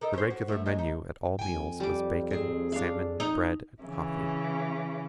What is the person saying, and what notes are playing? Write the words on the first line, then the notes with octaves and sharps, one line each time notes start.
The regular menu at all meals was bacon, salmon, bread, and coffee.
D#4 A4 A#4
C#4 C5
F#4
F#2 A3
D#2 F#3 G#3
D#4
F2 G5 G#5
G3 D6
C4 G#4
D4 F5
D#4
C#3 E3